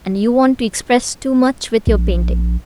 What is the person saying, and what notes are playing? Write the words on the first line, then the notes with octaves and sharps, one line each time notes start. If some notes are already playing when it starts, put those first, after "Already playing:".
And you want to express too much with your painting.
A#1